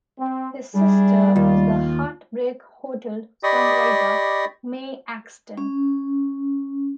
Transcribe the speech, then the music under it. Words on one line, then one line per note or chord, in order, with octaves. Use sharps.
His sister was the "Heartbreak Hotel" songwriter Mae Axton.
C4
G3 D4 E4 G#4
D#2 F4
G4 D5 D#5 B5 C#6 D#6
C#4